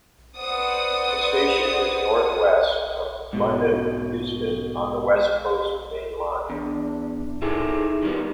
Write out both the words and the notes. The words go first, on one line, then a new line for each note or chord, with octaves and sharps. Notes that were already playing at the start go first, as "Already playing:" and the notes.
The station is north west of London Euston on the West Coast Main Line.
B4 C5 D5 F#5 D#6
G#2 B2
E2 D4
D#4 E4 G#4 A4
D#3 G3 B3